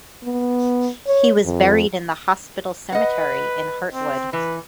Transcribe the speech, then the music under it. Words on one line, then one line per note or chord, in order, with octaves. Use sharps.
He was buried in the hospital cemetery in Hartwood.
B3
C#5
F2
B4 D#5 F#5
C4
E3 B4